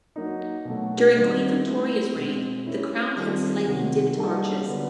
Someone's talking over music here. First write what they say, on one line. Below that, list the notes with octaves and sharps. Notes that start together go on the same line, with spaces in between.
During Queen Victoria's reign, the crown had slightly dipped arches.
F#3 A#3 D#4
B2 F#3 A3
D#3 G3 C4 D#4 F#4
A3 C4 E4
B2 G#3 C4
A#3 C#4 E4
D#3 G3 C4 F4 A4
C3 D#3 F#3
G3 A#3 D#4 F#4 A4
D3 F#3 B3